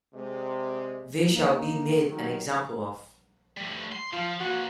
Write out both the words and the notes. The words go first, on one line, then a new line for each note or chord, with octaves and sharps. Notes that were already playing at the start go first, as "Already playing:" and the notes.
They shall be made an example of.
C3 G#3 D5
A#3 D#4
D#3 F#3 G4
G3 A3
C6
F3 F4
A#2 E3 F#4